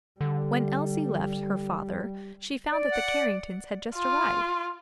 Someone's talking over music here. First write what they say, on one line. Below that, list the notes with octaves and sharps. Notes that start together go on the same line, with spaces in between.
When Elsie left her father she found that the Carringtons had just arrived.
D3 G3
D5
F#5
F4